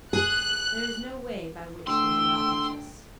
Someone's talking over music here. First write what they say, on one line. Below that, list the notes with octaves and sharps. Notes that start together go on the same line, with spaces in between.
There is no way by which it may not reach us.
G#4 F#6
D2 A3 G5 C6 E6